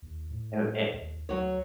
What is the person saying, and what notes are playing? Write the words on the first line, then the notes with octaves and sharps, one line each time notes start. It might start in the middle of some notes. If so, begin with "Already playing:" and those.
Er, it
D#2
A2
D#2
D2 F#3 C#5